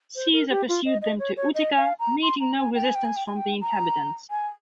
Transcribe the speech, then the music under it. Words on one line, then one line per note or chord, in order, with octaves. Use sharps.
Caesar pursued them to Utica, meeting no resistance from the inhabitants.
C5
A#4
G4
F4
D#5
D#5
C#5
C#5
D#5
F5
A#5
C6
A#5
G#5
G5
G#5
G5
G#5
G5
G#5
G5
A#5
G#5